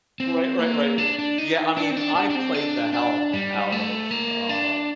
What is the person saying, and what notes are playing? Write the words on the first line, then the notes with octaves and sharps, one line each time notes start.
Right. Right. Right. Yeah. I mean, I played the hell out of, um,
C4
A#3
D4
D4
D#4
D4
C4
D4
D4
D4
C4
D4
D4
G3
A3
A#3
D4